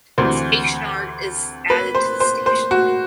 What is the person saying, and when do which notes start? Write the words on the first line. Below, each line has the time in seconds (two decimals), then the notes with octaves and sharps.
Station art is added to the station.
0.18 D2 C3 E3 C5
1.70 B4
1.95 C5
2.20 C5
2.46 C5
2.71 F#4